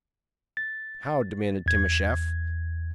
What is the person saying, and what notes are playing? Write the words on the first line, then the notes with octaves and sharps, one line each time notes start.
"How?" demanded Timascheff.
A6
E2 G#6